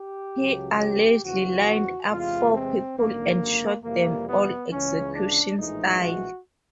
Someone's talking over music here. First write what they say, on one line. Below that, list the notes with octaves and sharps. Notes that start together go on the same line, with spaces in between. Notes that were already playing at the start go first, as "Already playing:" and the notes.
He allegedly lined up four people and shot them all execution style.
Already playing: G4
C#2 C#3 F#3
G4
E2 C#3 F3 F#4
E2 C3 E3 G#3 F4
C4
G#1 F#2 D3 A#3
F2 C3 E3 G3 A#3
B3
C#2 C#3 E3 C#4
D4
A#1 A2 E3 G#3 D#4
F#4